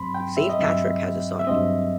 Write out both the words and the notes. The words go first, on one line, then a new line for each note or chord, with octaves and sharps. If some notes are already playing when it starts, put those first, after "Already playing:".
Saint Patrick has a son.
Already playing: G2 F#3 C4 B5 C6
G5
E5
D#5
G2 F#3 C4 E5
E5
G2 F#3 C4 D#5